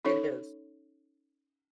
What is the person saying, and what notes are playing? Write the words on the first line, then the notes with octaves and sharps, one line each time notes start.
It is.
C#4 D#4 A4 C#5 C#6